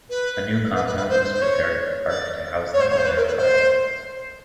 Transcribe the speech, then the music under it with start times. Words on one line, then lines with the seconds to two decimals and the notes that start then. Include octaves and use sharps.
A new compound was prepared at the park to house them on their arrival.
0.10 B4
0.75 B4
0.86 B4
0.97 B4
1.09 C5
1.31 C5
1.41 C#5
2.07 D5
2.73 C#5
2.81 C5
2.89 C#5
2.97 C5
3.05 B4
3.16 A#4
3.27 B4
3.38 C5